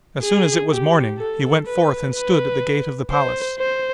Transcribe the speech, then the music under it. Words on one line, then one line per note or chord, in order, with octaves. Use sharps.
As soon as it was morning, he went forth and stood at the gate of the palace.
G#4
G4
A4
B4
B4
C5
C5